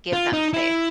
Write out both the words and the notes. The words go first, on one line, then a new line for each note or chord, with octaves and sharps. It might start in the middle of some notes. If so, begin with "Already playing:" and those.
Give them space.
F4
D#4
E4